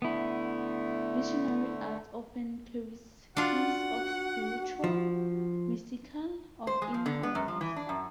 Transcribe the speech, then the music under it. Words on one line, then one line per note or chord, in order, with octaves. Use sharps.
Visionary art often carries themes of spiritual, mystical or inner awareness.
D3 A3 B3 E4
D4 F4 F#4 F#5
F3
C5
G#3
F3
D3
B3
F#2
F3
E3
D4
F#2